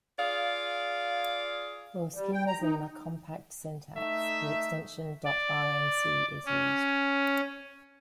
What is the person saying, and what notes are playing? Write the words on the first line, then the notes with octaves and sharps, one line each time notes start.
For schemas in the compact syntax, the extension ".rnc" is used.
F4 G#4 D5 F5
G3
G5
A#5
D#4
A3 D#4 E5
D5
C#4